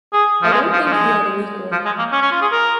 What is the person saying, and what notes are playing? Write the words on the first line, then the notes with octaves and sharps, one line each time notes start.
I don't think he had an equal.
G#4
F3
G#3
F3
F3
G#3
F3
G#3
A#3
C#4
C#4
F4
G#4
A#4